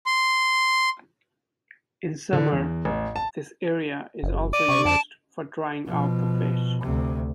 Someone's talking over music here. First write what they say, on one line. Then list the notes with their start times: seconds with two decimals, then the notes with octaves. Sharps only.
In summer, this area is also used for drying out the fish.
0.06 C6
2.33 D3
2.52 E2
2.85 A1
3.16 A5
4.23 F#1
4.53 D5 D#7
4.68 C3 C#6
4.85 F2 A5 D7
5.86 B2 F3
6.81 D2 C3